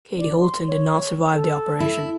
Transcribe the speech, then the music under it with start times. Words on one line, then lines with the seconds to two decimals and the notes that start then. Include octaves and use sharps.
Katie Holton did not survive the operation.
0.18 D5
0.41 C6
0.68 C#5
1.33 A4
1.80 E4